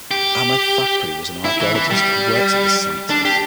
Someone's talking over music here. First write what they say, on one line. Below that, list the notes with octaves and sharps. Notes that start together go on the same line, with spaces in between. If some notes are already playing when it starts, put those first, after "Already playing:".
Ahmad Fakhri was an archaeologist who worked at this site.
G4
E4
E3
E3
G3
D4
G4